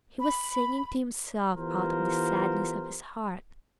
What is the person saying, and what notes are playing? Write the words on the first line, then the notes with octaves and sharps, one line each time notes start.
He was singing to himself out of the sadness of his heart.
B5
E3 B3 F4 G4 A#4 C5